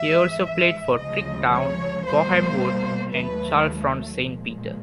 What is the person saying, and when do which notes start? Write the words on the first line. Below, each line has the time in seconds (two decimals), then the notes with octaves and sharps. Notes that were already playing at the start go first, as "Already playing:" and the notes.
He also played for Tring Town, Boreham Wood and Chalfont Saint Peter.
Already playing: G#2 E3 G#3 E5
0.45 E5
0.98 D2 C#3 F3 G#3 D#5
1.53 C#5
2.06 B2 G3 A#3 C5
3.13 D#2 D#3 F#3 A3 B4
4.21 A#2 F3 G#3